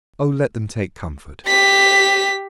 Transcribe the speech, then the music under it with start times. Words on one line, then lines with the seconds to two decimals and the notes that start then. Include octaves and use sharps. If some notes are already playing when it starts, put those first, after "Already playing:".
Oh let them take comfort!
1.47 G4 B6